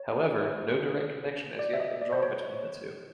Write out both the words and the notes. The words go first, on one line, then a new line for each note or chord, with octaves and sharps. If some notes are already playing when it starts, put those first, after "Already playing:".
However, no direct connection has yet been drawn between the two.
Already playing: C#5
D5
E5
D#5
D5
C5
C#5